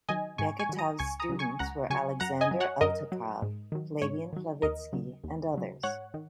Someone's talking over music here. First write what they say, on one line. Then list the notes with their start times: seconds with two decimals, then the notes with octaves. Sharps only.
Beketov's students were Alexander Eltekov, Flavian Flavitsky and others.
0.09 D#3 F#3 D#5 G#5
0.38 G#2 G#5 C#6
0.59 G#5 C#6
0.69 D#3 F#3
0.79 A#5 D#6
0.99 C#2 G#5 C#6
1.20 A#5 D#6
1.29 C#3 F#3
1.39 G#5 C#6
1.59 C#2 F#5 A#5
1.90 C#3 F#3 G#5 C#6
2.20 F#2 F#5 A#5
2.41 D#5 G#5
2.51 F#3
2.60 C#5 F#5
2.81 F#2 A#4 D#5
3.12 F#3
3.42 G#2
3.72 D#3 F#3
4.02 G#2 C#5
4.33 D#3 F#3
4.62 D#2 A#4 D#5
4.93 C#3 F#3
5.24 D#2
5.54 C#3 F#3
5.83 G#2 C#5 F#5
6.14 D#3